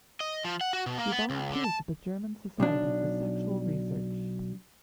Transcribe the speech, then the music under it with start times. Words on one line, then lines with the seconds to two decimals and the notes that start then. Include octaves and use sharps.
She volunteers at the German Society for Sexual Research.
0.20 D#5
0.44 F3
0.61 F#5
0.73 F#4
0.86 B2
0.98 A#3
1.12 B3
1.30 C#2
1.52 D3
1.64 A5
2.60 B1 D4